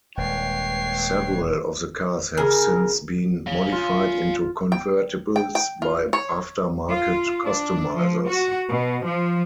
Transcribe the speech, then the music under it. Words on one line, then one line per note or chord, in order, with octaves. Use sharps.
Several of the cars have since been modified into convertibles by after-market customizers.
D#1 G#3 B4 C#5 G5 C7
C#3 A#4
C#5 F5
F4
G5
G5
G5
F4
C#5
F4
D4
F3
F#4
B2
F3